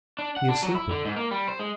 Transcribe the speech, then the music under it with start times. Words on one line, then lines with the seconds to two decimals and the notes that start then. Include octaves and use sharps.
He is sleeping.
0.19 D4
0.37 F#5
0.48 D4
0.63 F#3
0.75 E4
0.91 D3
1.05 G#2
1.17 A#3
1.31 G3
1.48 C5
1.60 G#3